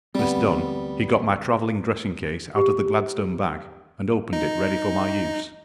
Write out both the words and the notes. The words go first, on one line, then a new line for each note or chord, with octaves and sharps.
This done, he got my travelling dressing-case out of the Gladstone bag, and opened it ready for my use.
D2 G3 B3 C4
G4
D#4